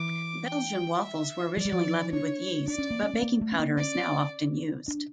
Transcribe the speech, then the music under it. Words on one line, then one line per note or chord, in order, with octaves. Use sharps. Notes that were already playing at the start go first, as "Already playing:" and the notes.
Belgian waffles were originally leavened with yeast, but baking powder is now often used.
Already playing: E3 D6
G5
E5
F3 D5
G3
F3
D4 C#5
D4 D5
C#4
A#3
C#4
A3
A#3
A3
C#4
A#3
C#4 D5
D4